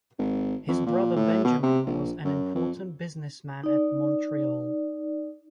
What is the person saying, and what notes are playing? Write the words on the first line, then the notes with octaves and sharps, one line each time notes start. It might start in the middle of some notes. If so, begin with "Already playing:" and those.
His brother Benjamin was an important businessman at Montreal.
G#1
F2
A#2
A2
B2
C3
A#1
F#2
F2
D#4 D5